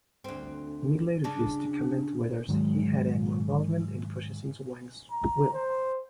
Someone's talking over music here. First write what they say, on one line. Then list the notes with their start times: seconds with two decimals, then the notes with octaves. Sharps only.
Midgley refused to comment whether he had any involvement in processing Wang's will.
0.24 D2 C4
1.24 C#3 D4
2.48 G#2 D#3 F#3 G#3
5.11 A#5
5.53 C5